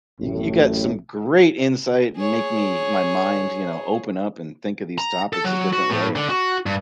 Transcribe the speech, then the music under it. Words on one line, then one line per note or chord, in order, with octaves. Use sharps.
you you got some great insight and make me my mind, you know, open up and think of these topics a different way, and
A1 F#2 A2
G#4 C#5
A#5
A4
F#3
F#4
A2
D3
F#4
G2